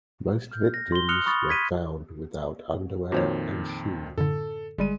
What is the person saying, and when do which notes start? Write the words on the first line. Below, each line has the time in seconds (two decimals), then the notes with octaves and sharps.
Most victims were found without underwear and shoes.
0.52 F6 G6
0.74 A#6
0.92 C6 G7
1.09 D#6 F6 F#6 C#7 F7 G7
1.26 B5 C#6 D#6 A6
1.49 G#6 B6 D#7
3.12 F2 A#2 D#3 F#4 C5 C#5
4.18 F#2 A2 D3 A4
4.78 G1 G3 G#3 D#7